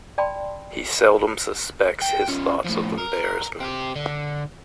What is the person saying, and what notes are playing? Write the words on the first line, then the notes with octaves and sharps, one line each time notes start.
He seldom suspects his thoughts of embarrassment.
D5 G5 A5 B5 C6
G5
F3 C#4
A2 F3
A#4
C4 G4
D3